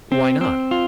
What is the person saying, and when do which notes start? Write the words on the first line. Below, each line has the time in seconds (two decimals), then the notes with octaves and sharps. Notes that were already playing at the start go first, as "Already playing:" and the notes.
"Why not?"
0.12 C4
0.41 C4
0.71 F4